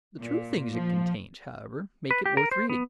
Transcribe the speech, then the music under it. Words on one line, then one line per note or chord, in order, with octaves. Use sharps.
The true things it contains, however, make it worth reading.
A#2
F3
B4
G4
A#4
C5
B3